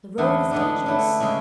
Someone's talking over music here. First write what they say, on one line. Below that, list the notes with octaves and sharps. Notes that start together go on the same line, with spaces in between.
"The road is dangerous."
E2 D3 A3 E4
D3 G#3 B3 D4
D3 A3 E4
C#3 G#3 C#4 E4